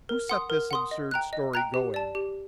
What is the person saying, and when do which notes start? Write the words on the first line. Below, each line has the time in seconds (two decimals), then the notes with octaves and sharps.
"Who set this absurd story going?"
0.09 A#4
0.29 F#5 C6 D#6
0.50 A#4
0.71 F#5 C6 D#6
0.91 D#5
1.11 G5 A#5 F#6
1.33 D#5
1.53 G5 A#5 F#6
1.74 G4
1.94 D5 A5
2.15 G4